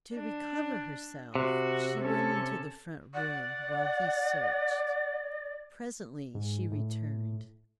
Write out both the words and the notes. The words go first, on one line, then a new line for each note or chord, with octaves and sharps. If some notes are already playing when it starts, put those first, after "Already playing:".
To recover herself she went into the front room while he searched. Presently she returned.
D4
C3 F#4
C#4 A4
D5 F#5
G#2
A2